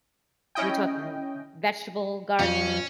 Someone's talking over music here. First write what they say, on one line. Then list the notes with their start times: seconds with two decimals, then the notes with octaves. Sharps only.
are we talking vegetable gardening?
0.55 C#4 E4 D#5 G5
2.39 F2 C#4